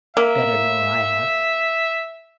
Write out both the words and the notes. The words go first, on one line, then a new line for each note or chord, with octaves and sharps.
Better nor I have.
A#3 E5